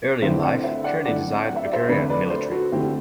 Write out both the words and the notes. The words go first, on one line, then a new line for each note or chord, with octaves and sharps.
Early in life, Kearny desired a career in the military.
D3 A3 C4 E4 C5 E5
D5 F#5
C5 E5
D5 F#5
D3 A3 C4 E4 D5 F#5
F#5
E5
D5
C5 E5
D3 A3 C4 B4 D5
B4 D5
D5
A4 C5
F#4 A4
D3 A3 C4 E4 G4